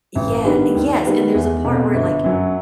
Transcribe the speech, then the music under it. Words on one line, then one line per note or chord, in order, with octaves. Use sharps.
Yeah, yes, and there's a part where, like,
A1
G2 D#3 G3 B3
D#2
D#3 G3 B3
E2
B2 A3 C4
G1
F#2 F#3